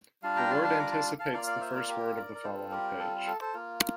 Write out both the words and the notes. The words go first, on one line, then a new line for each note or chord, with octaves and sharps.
The word anticipates the first word of the following page.
G3 D4 F4 F5 A5
G5 A#5
A5 C6
A5 C6
A#5 D6
A5 C6
F5 A5
A#3 F4 D5 F5
D5 F5
C5 E5
A#4 D5
G4 A#4
A#4 D5
A#4
G3 C4 F4 A4 C5
G4 A#4
A4
A4
A4 C5
A#3 F4